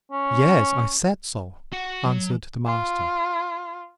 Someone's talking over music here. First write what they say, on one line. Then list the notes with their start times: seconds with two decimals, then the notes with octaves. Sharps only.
Yes, I said so, answered the Master.
0.12 C#4
1.73 F#4 F#5
2.05 F#3
2.66 F4